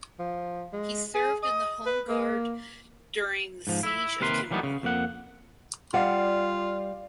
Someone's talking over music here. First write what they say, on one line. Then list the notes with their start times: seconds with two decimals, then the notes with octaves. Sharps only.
He served in the Home Guard during the Siege of Kimberley.
0.19 F3
0.73 G#3
1.14 G#4
1.43 D#5
1.86 B4
2.08 A#3
3.67 G#2 F3
3.83 E4 E5
4.21 D#2 C3 A#4 B4 C6
4.51 E3 F#3 G3 A3 B3 D#4
4.63 C#3
4.83 F2 A#3 F#5
5.94 G3 F4 D5 F5 F#5